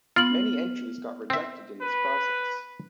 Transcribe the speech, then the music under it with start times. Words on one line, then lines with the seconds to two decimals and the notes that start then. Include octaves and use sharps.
Many entries got rejected in this process.
0.16 B3 F4 F6 F#7
1.30 C4 E5
1.81 B4